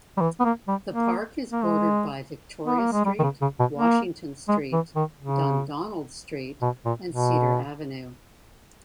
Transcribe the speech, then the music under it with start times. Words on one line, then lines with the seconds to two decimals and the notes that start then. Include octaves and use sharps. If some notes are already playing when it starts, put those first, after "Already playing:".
The park is bordered by Victoria Street, Washington Street, Dundonald Street and Cedar Avenue.
0.17 G3
0.21 E3
0.40 B3
0.45 A#3
0.68 G3
0.92 A#3
1.52 A#3
1.64 G#3
2.66 B3
2.79 A#3
2.93 G#3
3.05 G3
3.19 D#3
3.23 C#3
3.41 C#3
3.59 B2
3.77 A#3
4.48 G#3
4.73 E3
4.96 D#3
5.20 C#3
6.62 B2
6.85 A#2
7.10 B2